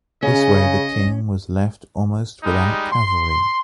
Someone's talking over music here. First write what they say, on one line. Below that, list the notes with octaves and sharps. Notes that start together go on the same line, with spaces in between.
This way the king was left almost without cavalry.
C#3 C#4 D#5
G3 G#3 D#4
C6